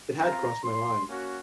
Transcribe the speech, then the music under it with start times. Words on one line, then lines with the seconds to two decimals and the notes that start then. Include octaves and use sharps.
It had crossed my mind.
0.18 C4 F4 A#5
0.64 C6
1.08 A#3 C#4 F#4